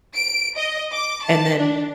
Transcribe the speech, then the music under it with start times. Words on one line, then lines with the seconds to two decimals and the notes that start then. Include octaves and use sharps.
and then
0.15 D7
0.57 D#5
0.92 D6
1.24 A5
1.56 D4